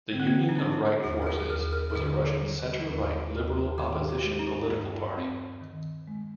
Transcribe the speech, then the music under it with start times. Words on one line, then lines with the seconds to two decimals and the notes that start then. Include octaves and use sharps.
The Union of Right Forces was a Russian centre-right liberal opposition political party.
0.12 D3 C4
0.20 A#3
0.27 C4
0.49 D#4
0.58 G3 D4
1.04 D#2 G#4
1.22 A#4
1.27 G#4
1.39 G#4
1.50 D#2 A#4
1.73 A#4
1.90 A#4
1.95 D3 G#4
2.41 G3
2.87 D#2
3.32 D#2
3.78 D#3 G4
4.09 G4
4.24 G#3
4.39 D#4
4.70 G2
5.16 C4
5.61 D#3
6.07 G#3